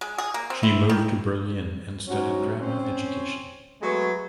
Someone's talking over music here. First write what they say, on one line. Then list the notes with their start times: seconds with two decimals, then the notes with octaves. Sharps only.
She moved to Berlin and studied drama education.
0.01 G#3
0.18 G#4
0.34 A#3
0.50 C4
0.63 E4
0.89 D#3
2.08 G#2 F#3 C#4 F#4
2.60 C4 C#4
3.82 F#3 G#3 A3 B3